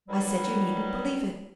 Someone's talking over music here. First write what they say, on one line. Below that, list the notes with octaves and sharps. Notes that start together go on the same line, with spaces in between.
I said, you need n't believe it.
B2 D#3 F#3 G3